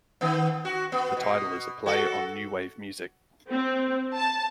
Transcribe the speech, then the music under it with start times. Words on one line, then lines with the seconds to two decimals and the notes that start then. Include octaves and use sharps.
The title is a play on new wave music.
0.21 D#3 B3
0.65 F#4
0.92 B3
1.17 B2
1.86 F#4 A4
3.50 C4
4.16 A5